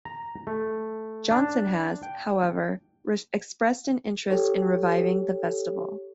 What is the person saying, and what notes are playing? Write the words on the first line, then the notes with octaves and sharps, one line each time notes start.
Johnson has, however, expressed an interest in reviving the festival.
A#5
A3
D4
G5
G4 A4 C#5